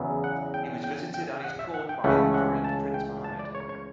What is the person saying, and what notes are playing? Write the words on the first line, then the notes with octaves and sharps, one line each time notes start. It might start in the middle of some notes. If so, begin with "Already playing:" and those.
He was visited at his court by the Marinid prince Mohammed.
Already playing: E2 C#3 F#3 B3 E4
F#5
G5
G5
G5
F#5
E5
F#5
G5
C#2 C#3 E3 A3 C#4 F#5
F#5
A5
G5
A5
D5
C#5
C#5